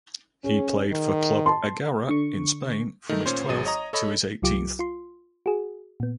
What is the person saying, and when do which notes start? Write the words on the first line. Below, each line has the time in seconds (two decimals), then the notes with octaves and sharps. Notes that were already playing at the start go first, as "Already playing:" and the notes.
He played for Club Egara in Spain from his twelfth to his eighteenth.
0.44 C#4 G#4
0.91 D#3
1.46 A5 C6
2.09 D3 C#6
3.09 D#3 A3 D#4
3.26 A#2 C#4 C5
3.49 G#1 F#3 G#4 D#6 D#7
3.65 C#5 D#5 A#5 D#6
3.93 A4 C#5 D#5 B5
4.42 C2 F#3 F4 G4 D6
4.79 F4 C6
5.46 F#4 G#4
6.00 A#2 B3